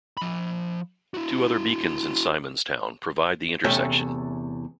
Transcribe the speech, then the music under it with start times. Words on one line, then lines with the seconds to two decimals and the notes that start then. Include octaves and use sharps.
Two other beacons in Simon's Town provide the intersection.
0.17 F3 B5
1.14 E4 F#4
3.64 E2 C3 A3 C#4 E5 G5